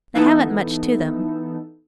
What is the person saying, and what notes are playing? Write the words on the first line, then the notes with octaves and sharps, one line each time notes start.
They haven't much to them.
E3 B3 D#4 A4